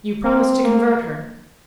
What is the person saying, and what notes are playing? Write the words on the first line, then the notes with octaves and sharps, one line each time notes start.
"You promise to convert her?"
C4
A#3